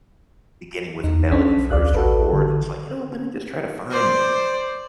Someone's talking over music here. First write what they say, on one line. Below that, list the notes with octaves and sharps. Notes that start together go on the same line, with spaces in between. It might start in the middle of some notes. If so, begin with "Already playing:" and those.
beginning with a melody first or chords. It's like, "You know what? Let me just try to find
E2 D#4
B1 C#4 D4 B6
D2 D5 F5 F#6
A1 F#4 A4 B4
D3
C5 D5